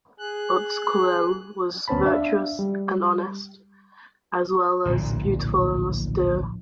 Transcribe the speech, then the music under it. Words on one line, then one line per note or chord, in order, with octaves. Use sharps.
Utz-Colel was virtuous and honest, as well as beautiful and austere.
G#4 F#6
D2 B3 C#4 C5 A5 B5
D4 E5 F5
G3
D1 A#1 A#2